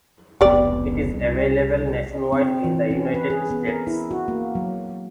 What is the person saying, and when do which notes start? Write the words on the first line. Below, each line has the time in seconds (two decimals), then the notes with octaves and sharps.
It is available nationwide in the United States.
0.41 F1 C#2 B3 G4 D5
1.14 C2
2.32 C4
2.64 E3
2.91 C#4
3.14 B4
3.30 G#4
3.50 B3
3.68 A#4
3.87 E4
4.11 F#4
4.28 A#3
4.55 F#3